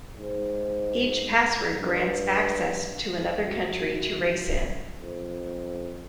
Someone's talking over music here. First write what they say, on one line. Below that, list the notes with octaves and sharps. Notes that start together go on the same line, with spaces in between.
Each password grants access to another country to race in.
G#2
G2
F#2
F2